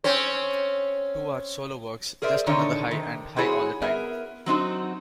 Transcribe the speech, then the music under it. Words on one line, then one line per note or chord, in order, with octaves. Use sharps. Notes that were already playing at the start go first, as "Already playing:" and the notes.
Two are solo works: "Just Another High" and "High All The Time".
C4 C#4 C5
G#4 A#4 C5 D5 E5
D3 D#3 D4 D#4 C#5
C3 D#3
C4 D#4 E4 F#4 G#4 C#5
B3 G#4 A#4 E5
F#3 C4 D#4 F#4